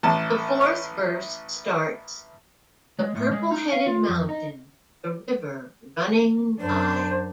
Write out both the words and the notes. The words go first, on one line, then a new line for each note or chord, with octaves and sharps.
The fourth verse starts "The purple headed mountain, the river running by".
A1 A5
G#3
A2
G#3
D#4
F5
F4
F2
D#4
F#2 D4 C5